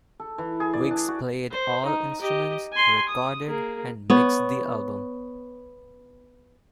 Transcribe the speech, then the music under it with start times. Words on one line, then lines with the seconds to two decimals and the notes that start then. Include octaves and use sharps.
Wiggs played all instruments, recorded and mixed the album.
0.20 A4
0.38 E3
0.60 G#4
0.73 D5
0.91 D4
1.08 F#4
1.51 C5
1.85 D#4
2.21 G4 D#5
2.72 G#5 C6
3.09 D#6
3.48 A#3 G#4
4.10 B3 C#5